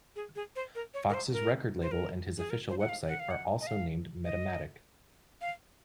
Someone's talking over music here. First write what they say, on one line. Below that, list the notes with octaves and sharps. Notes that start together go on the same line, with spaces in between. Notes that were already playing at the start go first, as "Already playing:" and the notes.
Foxx's record label and his official website are also named Metamatic.
G#4
G#4
C5
A#4
C#5
A#4
C5
A#4
C5
A#4
G#4
A#4
C5
F#5
F5
F#5
F5
F#5
D#5
F5
D#5
F5